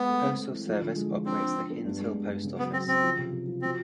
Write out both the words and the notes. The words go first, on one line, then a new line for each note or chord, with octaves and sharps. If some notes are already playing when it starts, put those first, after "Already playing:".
Postal Service operates the Hinesville Post Office.
Already playing: G#3 B3
A3
C4
C4
E3
F3
D3
G#3
F3
C4 D4
D4
D4
B3
G2
G#3
G2
G2
C#3
F#3 B3
F#3 C4
C#3 C4
F3
C3
C3
F3
C4 F#4